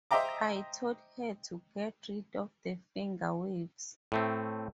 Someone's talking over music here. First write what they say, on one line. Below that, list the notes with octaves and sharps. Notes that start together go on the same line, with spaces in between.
I told her to get rid of the finger waves.
C5 D#5 E5 G5 A#5 D6
A2 A3 C4